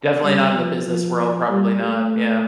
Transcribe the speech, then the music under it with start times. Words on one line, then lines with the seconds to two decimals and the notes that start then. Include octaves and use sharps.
Definitely not in the business world, probably not, yeah.
0.23 G3
0.54 F3
0.86 F3
1.49 G3
1.81 A3